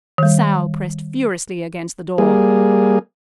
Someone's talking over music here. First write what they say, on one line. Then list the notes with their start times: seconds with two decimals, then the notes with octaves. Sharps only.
The sow pressed furiously against the door.
0.18 D#3 G3
2.18 G3 A#3 G#4